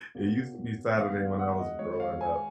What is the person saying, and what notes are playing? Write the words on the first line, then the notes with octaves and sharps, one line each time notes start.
It used to be Saturday when I was growing up.
B2 A#3 C#4
D#3 G#3 B3 D#4 F5
F5
F#5
D#5
D#3 G#3 D#4 C#5
F5
G#5